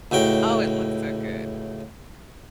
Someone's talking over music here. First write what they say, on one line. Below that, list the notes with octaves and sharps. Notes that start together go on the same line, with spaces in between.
Oh, it looks so good.
C#2 A2 F#4 G5